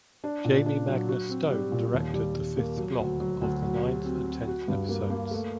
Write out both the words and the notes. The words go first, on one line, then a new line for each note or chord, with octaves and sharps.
Jamie Magnus Stone directed the fifth block of the ninth and tenth episodes.
D4
A#2
D4
F#3
F#4
C4
G3
A#2
D#2
G3
G3
A#3
F#3
D2
F#3
D2
F#3
G4
C4
C4
F#4
G2
A#3
A#3
A3